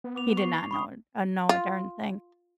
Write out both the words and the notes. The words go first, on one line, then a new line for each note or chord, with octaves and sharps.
He did not know, uh, know a darn thing.
B3
D6 F7
C#6 C7
B5 C#6 D#6
F4